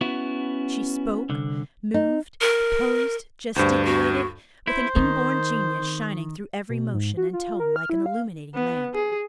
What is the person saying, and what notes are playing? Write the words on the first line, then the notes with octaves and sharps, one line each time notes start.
She spoke, moved, posed, gesticulated, with an inborn genius shining through every motion and tone like an illuminating lamp.
B3 C#4 E4 F#4
C2 D3
D#4
A#4
D2 G2 C5
F#4
E4 C5
D#3 B3 C4
B2
G#2
F#4
F4
A#4
F6
E4
F5
B3
G#4